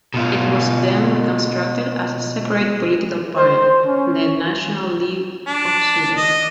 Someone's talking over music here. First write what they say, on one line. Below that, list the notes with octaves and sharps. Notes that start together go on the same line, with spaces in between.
It was then reconstructed as a separate political party, the National League of Sweden.
B2 F4
C5
C#4
D4
D#5